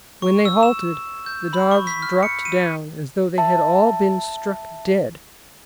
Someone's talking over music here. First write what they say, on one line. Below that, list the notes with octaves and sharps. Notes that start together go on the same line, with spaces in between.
When they halted, the dogs dropped down as though they had all been struck dead.
C#6
E6
E7
G6
B5
C#6
B6
F6
C#7
D#7
E5 A5